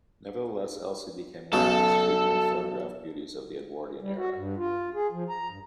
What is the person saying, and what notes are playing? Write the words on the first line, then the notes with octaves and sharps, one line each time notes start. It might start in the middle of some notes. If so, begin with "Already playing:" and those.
Nevertheless, Elsie became one of the most frequently photographed beauties of the Edwardian era.
B1 C#3 F#3 A4
G3
F#4
G2
F4
G#4
F3
A#5
G2